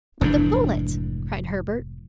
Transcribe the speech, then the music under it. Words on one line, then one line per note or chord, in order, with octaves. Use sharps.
"But the bullet," cried Herbert.
F1 G#2 E3 D4